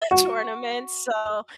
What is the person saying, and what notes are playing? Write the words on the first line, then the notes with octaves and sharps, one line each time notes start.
tournament, so
F#4